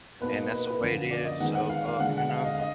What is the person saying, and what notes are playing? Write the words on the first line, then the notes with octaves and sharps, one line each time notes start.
And that's the way it is, so, uh, you know
B2 A#3 D#4 B4
D#5
B4
B4
F#2 D3 F3 A#3
D5
D#5
D#3 G#3 B3 D#4 F#5
F#5
F5
F5
D3 G#3 D4 F#5
F#5
F5
D#5
F5
D#5